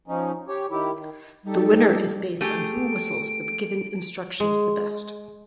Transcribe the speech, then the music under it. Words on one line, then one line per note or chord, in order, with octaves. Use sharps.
The winner is based on who whistles the given instructions the best.
F3 C#4 D#4
G4 C#5
D#3 E4 G4
D#3
G3 D#4 G4 A4
A3 G4 G#4 D7
G#3